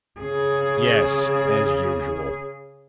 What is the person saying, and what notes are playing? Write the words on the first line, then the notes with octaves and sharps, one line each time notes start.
"Yes--as usual!"
C#3 G#4